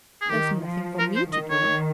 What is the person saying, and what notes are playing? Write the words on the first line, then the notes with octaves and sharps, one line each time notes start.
There's nothing for me to do.
G#4
D#3 G4
F3
F3 A#4
C5
D#3 D#5
C#5